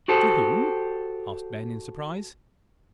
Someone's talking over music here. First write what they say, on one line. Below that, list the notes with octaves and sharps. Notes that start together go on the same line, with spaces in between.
"To whom?" asked Ben, in surprise.
F#4 G4 A4 C5